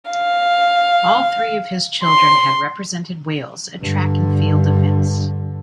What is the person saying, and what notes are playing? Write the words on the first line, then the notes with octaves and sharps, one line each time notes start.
All three of his children have represented Wales at Track and Field events.
F5
C6
G2 D3